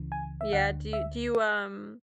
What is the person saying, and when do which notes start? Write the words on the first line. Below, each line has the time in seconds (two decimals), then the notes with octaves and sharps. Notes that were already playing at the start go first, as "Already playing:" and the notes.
Yeah. Do you do you, um
Already playing: C#2 C#3 E3
0.12 G#5
0.41 E5
0.52 D2 D3 F#5
0.93 E5